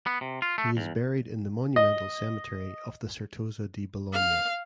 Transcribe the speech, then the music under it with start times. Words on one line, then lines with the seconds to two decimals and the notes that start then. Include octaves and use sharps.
He is buried in the monumental cemetery of the Certosa di Bologna.
0.06 B3
0.21 C3
0.42 F4
0.58 A3
0.77 E2
1.76 D#5
4.13 F5